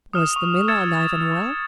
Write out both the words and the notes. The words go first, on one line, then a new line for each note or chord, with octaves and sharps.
Was the miller alive and well?
D#6 F6 E7
C#6 F7
E6 F6 G#6 A6 C#7 E7